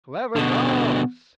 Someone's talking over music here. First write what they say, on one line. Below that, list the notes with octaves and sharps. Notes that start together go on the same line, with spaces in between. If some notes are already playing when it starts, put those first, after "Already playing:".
Clever dogs!
B2 D3